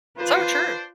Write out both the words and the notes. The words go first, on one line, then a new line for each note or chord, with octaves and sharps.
So true.
D4 F4 B4 C5